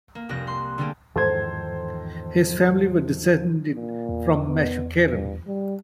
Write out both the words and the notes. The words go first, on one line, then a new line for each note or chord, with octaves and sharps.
His family were descended from meshuchrarim.
A#3
F1 C2 C4 F#6 A#6
C6 F#6
D3 G3 A3 A#3 G4 G#4
E2 G#2 D#3 F3 A4 C5 G#6
A#2
E2
B3
G2
G3